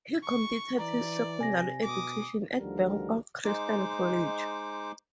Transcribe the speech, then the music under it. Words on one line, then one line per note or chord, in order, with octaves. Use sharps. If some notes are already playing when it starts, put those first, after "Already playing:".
He completed his secondary education at Bangkok Christian College.
C#6
E3 D5 A#5
C3 G#5 A#6
B2 D6 D#6
D2 D3 D#3 F3 G3 A#4
G#3 D#4 C5 D6